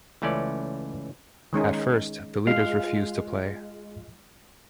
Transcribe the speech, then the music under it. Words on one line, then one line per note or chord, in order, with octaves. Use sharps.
At first, the leaders refuse to play.
C#2 E3 A3 C#4 D5
D#3 G#3 C#4 D#4
G#3 F4 F5